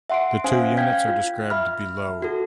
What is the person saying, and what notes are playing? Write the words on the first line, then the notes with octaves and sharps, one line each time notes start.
The two units are described below.
E5 F#5 C6 C7 D7
C#4 C5 F5 G#5
F5 G5 G6 G#6 B6
F4
E5 B5 F6
F4 F#4 A4